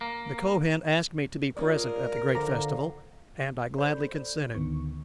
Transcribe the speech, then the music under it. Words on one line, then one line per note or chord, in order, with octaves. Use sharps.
The Kohen asked me to be present at the great festival, and I gladly consented.
A#3
G#3 C#4 F4 A#4 D5
D3 F3 F5 A#5
A4 C5 D5 B5 C6 G6
D2 G#2 D3 D#3 B3 C#6